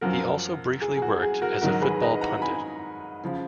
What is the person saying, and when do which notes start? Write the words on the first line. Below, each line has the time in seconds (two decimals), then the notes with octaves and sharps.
He also briefly worked as a football pundit.
0.01 F#2 F3 F#4 A#4
0.82 G#4
0.97 G#4
1.02 F#4
1.23 G#4
1.42 F#4 A#4
1.61 G#2 D#3 F#3 F#4 A#4
1.82 G#4 B4
2.02 B4 D#5
2.21 F#5 A#5
2.42 G#5 B5
3.24 C#3 F3